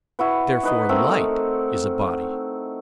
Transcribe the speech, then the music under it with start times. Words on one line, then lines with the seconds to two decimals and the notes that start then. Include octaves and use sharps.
Therefore light is a body.
0.19 E4 F#4 B4
0.63 D#4 B4 D#5
0.89 A3 C4 A#4